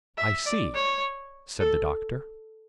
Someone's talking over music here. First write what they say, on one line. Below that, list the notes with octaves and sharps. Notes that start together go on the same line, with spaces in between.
"I see," said the doctor.
E5
D5
C#5
A4